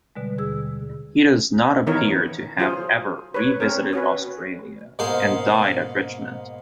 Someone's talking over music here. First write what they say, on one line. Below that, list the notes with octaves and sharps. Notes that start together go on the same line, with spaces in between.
He does not appear to have ever revisited Australia, and died at Richmond.
B2 D3 G3 G#3
D#2 G#4 E6
D#3 E3 B3 D#4 A#4 C#5
F#3 F4 G#4 C5
B4 C#5
C4 C#4 A#4
C#4 F#4 B4
G#2 B2 A#3 G#4 C5 F5